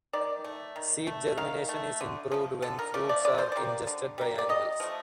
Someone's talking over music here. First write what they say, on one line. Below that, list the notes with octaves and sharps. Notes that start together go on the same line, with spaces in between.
Seed germination is improved when fruits are ingested by animals.
D#3 D5
A3
D#3
A3
D#3 F5
A3
D3
F3 A3
D3 A4
A#4
F3 A3 D5
D5
D3 D5
C5
G3 A#3 D5
D3
G3 A#3
D5
C3 D#5
F3 A3